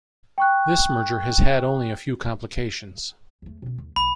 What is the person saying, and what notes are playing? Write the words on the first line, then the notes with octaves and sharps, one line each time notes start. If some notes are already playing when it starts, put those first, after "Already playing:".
This merger has had only a few complications.
G5 C#6 F#6
E2 A3
B2 C#4
D#2
B1 B5